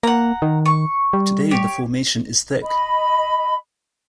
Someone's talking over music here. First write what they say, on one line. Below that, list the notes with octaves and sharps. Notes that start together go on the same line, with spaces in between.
Today the formation is thick.
A#3 F#5 A#5
D#3
C#6
G3
G4 C#5
D#5 B5